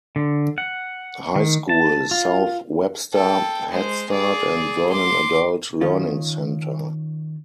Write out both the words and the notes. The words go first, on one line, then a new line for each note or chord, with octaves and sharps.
High School, South Webster Headstart, and Vernon Adult Learning Center.
D3
F#5
D#3
A5
F4
A4 G5
G#3 C5
G#4 D5
C6 D6
D#3 C#4 F4